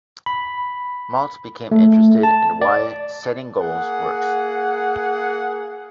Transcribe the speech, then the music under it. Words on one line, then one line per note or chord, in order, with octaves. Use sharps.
Maltz became interested in why setting goals works.
B5
A3
A5
D5
A#3 G#4 F#5